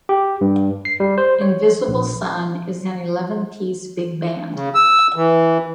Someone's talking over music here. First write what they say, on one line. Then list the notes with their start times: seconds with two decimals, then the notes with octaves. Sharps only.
"Invisible Sun" is an eleven-piece big band.
0.09 G4
0.41 G2
0.85 C7
1.00 G3
1.18 C5
1.42 C#5
1.88 A#1
4.54 C#3
4.75 E6
5.16 E3